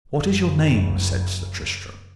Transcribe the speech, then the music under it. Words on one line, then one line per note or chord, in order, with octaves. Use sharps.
What is your name? said Sir Tristram.
F#1 C#3